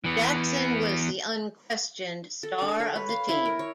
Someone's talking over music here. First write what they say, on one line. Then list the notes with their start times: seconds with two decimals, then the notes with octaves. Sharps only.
Jackson was the unquestioned star of the team.
0.04 E3 B3
2.43 A4
2.62 D4
2.80 C#5
2.96 B4
3.09 F5
3.29 E4
3.45 A#4
3.59 C#5